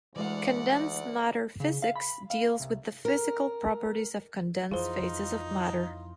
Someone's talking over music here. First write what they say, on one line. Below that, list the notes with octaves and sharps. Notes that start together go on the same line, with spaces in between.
"Condensed matter physics" deals with the physical properties of condensed phases of matter.
D2 E3 G#3 D5 F5 F#5
C#3
F5
B5
F5
C2
A#4
F2 E3 D#4 F4 G#4 C5